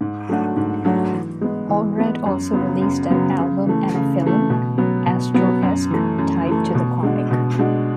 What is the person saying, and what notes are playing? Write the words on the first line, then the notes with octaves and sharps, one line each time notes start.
Allred also released an album and a film, "Astroesque", tied to the comic.
G#2
F#3 A3 D4 F#4
G#2
F#3 A3 D4 F#4
E3
G#3 B3
E3
G#3 B3
F#2
C#3 F#3 B3
F#2
C#3 F#3 B3
C#3
E3 A3
C#3
E3 A3
B2
F#3 B3
B2
F#3 B3
F#2
E3 A3
F#2
E3 A3
B2
G#3 D4 F#4
B2
G#3 D4 F#4